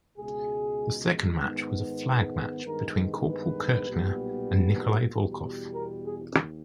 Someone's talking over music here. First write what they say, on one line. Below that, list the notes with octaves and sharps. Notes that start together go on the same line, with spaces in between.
The second match was a flag match between Corporal Kirchner and Nikolai Volkoff.
C#2 B2 G#3 G#4
G#2 D#3 G#3 B3
G2 D#3 G#3 B3 A#4
B4
B1 A#2 G3 B3
E2 B2 G3
A#4
G#4
D#2